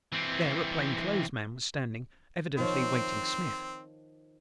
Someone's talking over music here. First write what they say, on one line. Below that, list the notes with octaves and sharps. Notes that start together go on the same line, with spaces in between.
There a plain-clothes man was standing, evidently awaiting Smith.
E3 C4
D#3 F3 C4 C#5